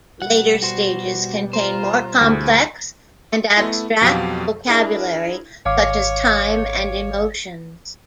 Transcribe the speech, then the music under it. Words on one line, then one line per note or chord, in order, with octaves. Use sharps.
Later stages contain more complex and abstract vocabulary such as time and emotions.
B2 G3 F#5
F#4 C5
F4 C5 A#5
D2 E4 G#4
A3 B3 E4
F2 B2 F#3 G4 F5
D4 E4 G#4 A#4
G#1 C#5 F5 D6